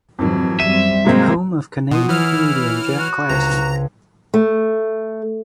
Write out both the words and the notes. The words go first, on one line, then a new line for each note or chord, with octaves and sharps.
Home of canadian comedian Jack Klassen.
F2 G#2 D#3 E3 F#3
F#2 G3 C4 E5 D#7
G#2 C3 F#3 G#3 A#3 C4
B2 F#5 C6 D#6
E3 E4 C#5 F6
F#4
C#2 D4 C5 A#5
A3